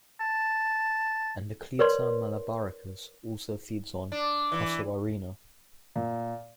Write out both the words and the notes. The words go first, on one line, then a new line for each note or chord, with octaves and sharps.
"Endoclita malabaricus" also feeds on "Casuarina".
A5
A#4 B4 C#5 D5 C6
D4
E3
A#2